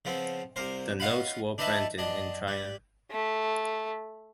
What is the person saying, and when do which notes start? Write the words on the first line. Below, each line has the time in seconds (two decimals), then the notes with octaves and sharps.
The notes were printed in China.
0.05 C#3 F3 B3 C4
0.56 C2 C3 A#4 C5
1.00 C#4 F4 D#5 F5 F#5 B5
1.58 D4 D#4 B4 D#5 E5 A5
1.98 F#2 D4 D#5
2.48 G3
3.11 A3